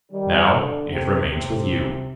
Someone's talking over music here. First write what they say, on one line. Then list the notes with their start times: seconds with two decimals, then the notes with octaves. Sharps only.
Now it remains with you.
0.11 D#3 G3
0.50 D3
0.89 C3
1.28 C3